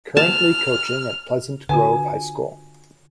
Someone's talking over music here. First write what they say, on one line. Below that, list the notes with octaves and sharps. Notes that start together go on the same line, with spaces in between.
Currently coaching at Pleasant Grove High School.
A5 F6
D3 F4 F#4 B4 G#5